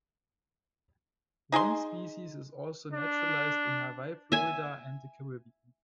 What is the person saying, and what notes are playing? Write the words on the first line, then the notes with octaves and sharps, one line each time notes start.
One species is also naturalized in Hawaii, Florida, and the Caribbean.
D#4 G#4 F#5 C6
D4
E5 G#5